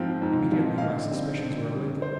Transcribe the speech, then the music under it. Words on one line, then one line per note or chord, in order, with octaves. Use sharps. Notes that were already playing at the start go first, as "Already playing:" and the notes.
Immediately my suspicions were awakened.
Already playing: G#2 F3 C4 F5
G#2
F3 C4
F5
D3 D#5
G3 C4
D3
G3 C4
C5